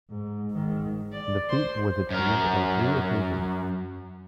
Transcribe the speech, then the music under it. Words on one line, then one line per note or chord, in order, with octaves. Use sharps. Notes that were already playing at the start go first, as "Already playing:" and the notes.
The feat was achieved on three occasions.
G#2
G#2 D#3
D5
C5 C6
F#2 A#4